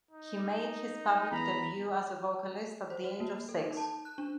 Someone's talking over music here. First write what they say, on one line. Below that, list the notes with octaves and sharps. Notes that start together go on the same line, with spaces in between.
He made his public debut as a vocalist at the age of six.
D#4
E2 A#5 B5
C5
F#4
A#3
A4
D#4
A5
F#6
D4